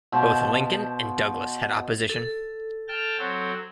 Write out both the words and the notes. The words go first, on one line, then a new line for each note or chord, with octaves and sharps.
Both Lincoln and Douglas had opposition.
B2 C5 F5 A5
A4
G5 A5 F6
F#3 C4